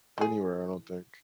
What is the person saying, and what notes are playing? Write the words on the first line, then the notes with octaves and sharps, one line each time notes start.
anywhere, I don't think.
E3 G#4